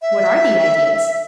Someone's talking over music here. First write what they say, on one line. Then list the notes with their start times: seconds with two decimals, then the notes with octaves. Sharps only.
What are the ideas?'
0.02 E5